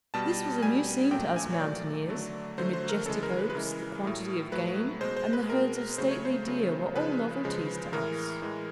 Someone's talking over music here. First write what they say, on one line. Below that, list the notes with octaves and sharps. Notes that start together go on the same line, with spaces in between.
This was a new scene to us mountaineers; the majestic oaks, the quantity of game, and the herds of stately deer were all novelties to us.
B2 G3 A5
B2 G3 G#5
A#2 F#3 A3 G5
G#5
C#5
A#2 F#3 A3 D5
D3 F#3 A3
D3 F#3 A3 C5
C5
A#4
C#3 E3 G#3 A4
A#4
B4
B4
C#3 E3 G#3 A#4
A2 F#3 A3
A2 F#3 A3 B4
B2 G#3 C5
C5
B4
B2 G#3 A#4
C#3 F#3 A3 C5
C#5
C5
C#3 F#3 A3
C#3 F3 G#3 B4
C#3 F3 G#3
A2 E3 G#3 A#4
A2 E3 G#3